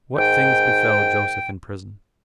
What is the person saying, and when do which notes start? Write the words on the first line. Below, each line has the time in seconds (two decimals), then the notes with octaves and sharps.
What Things Befell Joseph In Prison.
0.17 G#2 D#3 G5